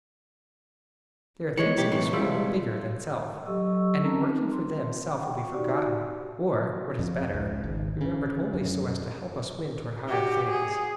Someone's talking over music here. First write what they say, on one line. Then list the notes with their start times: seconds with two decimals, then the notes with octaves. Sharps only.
There are things in this world bigger than self, and in working for them self will be forgotten, or--what is better--remembered only so as to help us win toward higher things.
1.57 E3 G#3 C#5 C#7
1.77 B1 E3 G4
1.92 A2 C3 E3
2.13 G3 G#3 F4 E5
3.46 F#3 G4 A4 D#5 C#6 E6
4.02 C4 C#4 A5 A#5
4.23 C4 D#4
4.52 C6
5.17 F#5 G5 B5 C#6
5.53 D#4 F#4 G4 D5
6.99 F2
7.34 C#2
7.64 G#1
8.01 C#3
8.54 F#2
10.08 F#4 G4
10.49 G#4